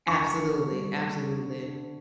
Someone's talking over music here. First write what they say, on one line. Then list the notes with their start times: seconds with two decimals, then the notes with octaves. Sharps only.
Absolutely. Absolutely.
0.08 D3 C#6
0.39 D3
0.70 G3
1.01 G3
1.31 D3
1.62 D3